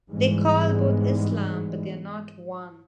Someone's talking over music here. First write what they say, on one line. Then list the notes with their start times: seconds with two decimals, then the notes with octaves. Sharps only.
They call both Islam, but they are not one.
0.11 G#2 E3 G3 G#3 B3